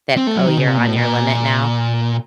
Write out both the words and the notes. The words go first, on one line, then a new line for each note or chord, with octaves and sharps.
that, "Oh, you're on your limit now."
C4
A3
F#3
D#3
C#3
C3
A#2
A2
A#2